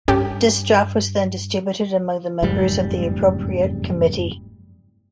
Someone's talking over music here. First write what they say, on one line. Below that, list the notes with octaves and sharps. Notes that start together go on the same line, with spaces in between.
This draft was then distributed among the members of the appropriate committee.
G2 C#4 G4 A4
F#1 F2 G#2 G3